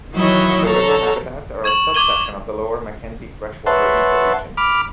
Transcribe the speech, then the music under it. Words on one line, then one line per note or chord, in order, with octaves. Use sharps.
The river habitats are a subsection of the Lower Mackenzie Freshwater Ecoregion.
D#3 E3 F#3 E4 C#5 D#5
A4 C#5 A#5
C#6 G#6 E7 F#7
D6 G#6 D#7 G7
B4 C#5 E5 F#5 A5 C6
B5 D6 F6